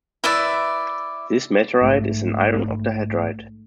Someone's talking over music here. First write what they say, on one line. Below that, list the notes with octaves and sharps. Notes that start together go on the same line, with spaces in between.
This meteorite is an iron octahedrite.
E4 B4 D5 E5
A#1 G#2 A3